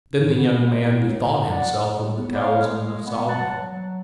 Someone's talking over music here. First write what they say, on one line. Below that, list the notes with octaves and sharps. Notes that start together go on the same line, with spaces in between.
Then the young man bethought himself of the Talisman of Solomon.
A2
B3
G#3
A2
A2
A2
G#3 D5 F#5
A2
A2
B3
D5
B3 C#5 F5
G#3
G#3
B3
F#3 F#5 A5
F#3
F#3